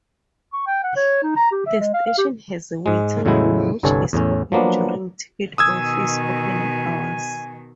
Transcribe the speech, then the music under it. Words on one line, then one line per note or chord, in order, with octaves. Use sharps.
The station has a waiting room which is open during ticket office opening hours.
C#6
G5
F#5
C#5
D#4
A#5
G4
E5
G#3
F5
F5
G4
G#2 G#3
E2 A2 C#3 F#3 G#3 E4
G1 C2 G2 A4 C#5 G#5
E2 A2 C#4
F3 F#3 A#3 B3 D4
B2 D#3 G#5 D#6 E6 G#6